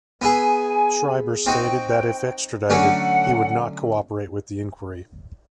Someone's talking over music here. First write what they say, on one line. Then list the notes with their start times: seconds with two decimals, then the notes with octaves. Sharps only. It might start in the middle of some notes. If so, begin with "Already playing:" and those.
Schreiber stated that if extradited, he would not cooperate with the inquiry.
0.22 B3 E4 G#4 G#5
1.45 C4 D#4 F#4 G5
2.70 D3 F#3 A3 C#4 F#5